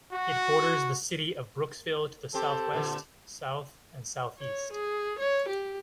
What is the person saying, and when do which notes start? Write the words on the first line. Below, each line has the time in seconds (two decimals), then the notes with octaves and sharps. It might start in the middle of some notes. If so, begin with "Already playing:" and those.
It borders the city of Brooksville to the southwest, south, and southeast.
0.13 F#4
2.34 C4 G4 A4
2.73 A#2 D3
4.38 C#5
4.73 G#4
5.19 C#5
5.49 G4